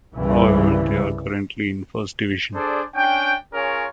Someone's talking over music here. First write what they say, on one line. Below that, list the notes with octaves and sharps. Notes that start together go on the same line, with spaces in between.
However, they are currently in First Division.
C2 G2 C#3 E3 G3
D4 G#4 A4 C5 D5
C#4 D4 G5
C#4 F4 G#4 A#4 C#5